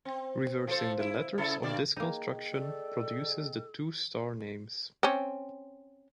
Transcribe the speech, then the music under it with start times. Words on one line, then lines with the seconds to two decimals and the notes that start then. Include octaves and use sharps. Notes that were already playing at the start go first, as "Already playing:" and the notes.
Reversing the letters of this construction produces the two star names.
0.05 C4
0.67 F3 A4 C5
0.99 E4
1.38 C#3 E4 A4
1.62 G2 D3 D5
1.96 A#3 D#4 G#4 D#5 G5
2.53 A4 D5
5.03 C4 C#4